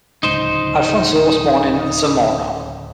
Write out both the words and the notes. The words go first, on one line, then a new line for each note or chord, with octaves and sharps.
Alfonso was born in Zamora.
D1 C#2 D#4 C5